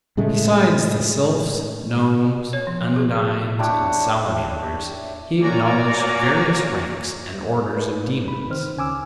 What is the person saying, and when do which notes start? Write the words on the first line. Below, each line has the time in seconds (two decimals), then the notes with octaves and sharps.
Besides the sylphs, gnomes, undines, and salamanders, he acknowledged various ranks and orders of demons.
0.17 A2 C#3 G#3 A3
2.53 C#5
2.67 F3
2.96 G#4
3.59 D4 E4 G4 C#5
5.41 A#3 F#4 C#5 D5 G#5 A#5
7.77 A3 D#4 B4
8.28 B5
8.50 D#3 C5 F6
8.76 D2 C#3 C#4 G#5 D6 E6